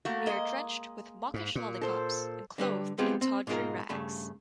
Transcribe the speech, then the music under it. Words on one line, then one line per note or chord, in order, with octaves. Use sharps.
We are drenched with mawkish lollipops, and clothed in tawdry rags.
A3 A#3 F#4
G#3 D#5
G#2
A#2
A4 C5
D3 G3 B4
G#3 B3 C4 F4 G4 G#4
C4
G#2 B2 G#3 F4 A#4
G2 C#3 A3 B5